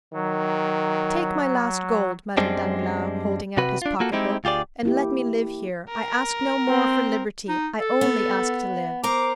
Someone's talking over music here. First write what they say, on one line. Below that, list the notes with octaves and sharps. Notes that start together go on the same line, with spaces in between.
"Take my last gold," muttered Danglars, holding out his pocket-book, "and let me live here; I ask no more for liberty--I only ask to live!"
D#3 F#3
F#2 G3 G#3 C4 D4
C3 F#4 B4
D4 F4
A#3 F4 F#4 A4
G#3 C4 D#4 E4 G4
D2 F4 G4 G#4 D5
A#3 E4 G4
A#4
C4
D#4
A4
B3
A#4 C5 A#5 D6